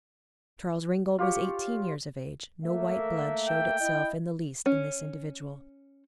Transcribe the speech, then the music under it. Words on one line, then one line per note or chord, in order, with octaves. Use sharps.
Charles Ringgold was eighteen years of age; no white blood showed itself in the least in this individual.
F4 G4 C#5
A3 A#3 E5
G5
E4 D#5
C#4